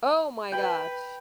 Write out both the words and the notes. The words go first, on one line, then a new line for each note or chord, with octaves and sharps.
Oh my gosh.
B4 G5 B5